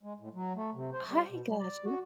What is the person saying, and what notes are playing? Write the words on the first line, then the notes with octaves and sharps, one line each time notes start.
I got you.
G#3
A2
F#3
A3
C3
C5
G3
B2
G3
D5
F#4